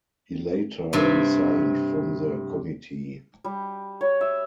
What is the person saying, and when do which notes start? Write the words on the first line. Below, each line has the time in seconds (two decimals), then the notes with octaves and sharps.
He later resigned from the committee.
0.93 G2 C3
3.44 G3
4.01 C#5
4.21 E5